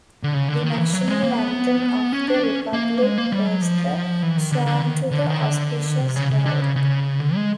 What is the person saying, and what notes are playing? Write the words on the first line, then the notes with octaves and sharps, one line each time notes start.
The national anthem of the republic was the "Song to the Auspicious Cloud".
D3
C#3
D3
D#3
E3
F#3
G#3
A#3
B3
C#4
D4
C#4
A#3
G#3
A#3
G3
F#3
F3
E3
D#3
D3
D3
D#3
D3
D#3
D3
C3
C#3
C#3
D3
C#3
C#3
D3
G#3